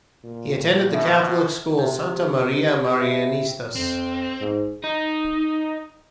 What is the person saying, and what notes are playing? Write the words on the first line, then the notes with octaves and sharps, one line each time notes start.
He attended the Catholic school Santa Maria Marianistas.
A#2
B2 E5
C3
E4
F2 C4
G#2
D#4